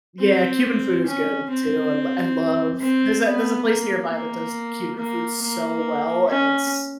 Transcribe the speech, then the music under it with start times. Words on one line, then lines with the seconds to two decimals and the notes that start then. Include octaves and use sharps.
Yeah, Cuban food is good too, I l I love there's a there's a place nearby that does Cuban food so well, and it's
0.20 C4
1.07 C#4
1.50 C4
2.80 C4
3.24 B3
3.67 A#3
4.11 A#3
4.97 A#3
5.42 A#3
6.28 C#4